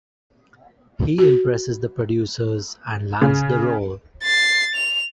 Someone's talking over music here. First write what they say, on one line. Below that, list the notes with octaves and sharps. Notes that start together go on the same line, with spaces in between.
He impresses the producers and lands the role.
F#4
C#3
A6 C7
F7